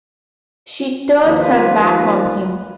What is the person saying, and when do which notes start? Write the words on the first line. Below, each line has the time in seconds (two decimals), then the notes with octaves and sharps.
She turned her back on him.
1.24 D#2 F3 F4 B4